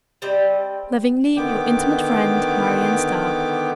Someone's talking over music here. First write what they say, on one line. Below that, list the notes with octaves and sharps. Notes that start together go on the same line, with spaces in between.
Lovingly, your intimate friend--Marion Starr.
G3 C4 D5 D#5
D3 D#3 B3 G5 D6